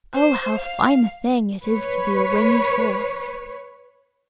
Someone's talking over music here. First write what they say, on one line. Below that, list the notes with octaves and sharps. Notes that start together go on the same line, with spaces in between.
Oh, how fine a thing it is to be a winged horse!
C5
F5
B4 C#5